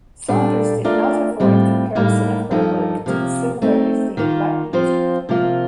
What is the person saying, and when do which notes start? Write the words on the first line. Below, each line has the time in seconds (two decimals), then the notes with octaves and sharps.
Saunders did not avoid comparison of her work to the similarly themed Black Beauty.
0.28 A#2 G3 D4 A4
0.84 A3 D4 F4 A#4 D5
1.40 A2 G3 C4 F4
1.95 A2 G3 A#3 D#4
2.51 G2 F3 A#3 D#4 A4
3.06 C3 F3 A#3
3.62 A3 C4 D#4
4.17 D#3 A#3 F4
4.73 F3 C4 F4 C5
5.29 C3 F3 A#3 F4